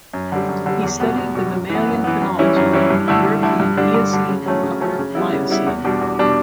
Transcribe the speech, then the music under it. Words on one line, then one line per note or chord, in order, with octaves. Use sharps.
He studied the mammalian chronology of the European Eocene and Upper Miocene.
F#2
D3 G3
F#2
D3 G3
E2
B2 G3 B3
E2
B2 G3 B3
F#2
E3
B3
F#2
E3 B3
F#2
E3 G3 C#4 E4
F#2
E3 G3 C#4 E4
G2
D3 A3 E4
G2
D3 A3 E4
G2
D3 G3 D4
G2
D3 G3 D4
C#3
F#3 A3 C#4
C#3
F#3 A3 C#4
C#3
G3 B3 E4
C#3
G3 B3 E4
E2
B2 G3 D4
E2
B2 G3 D4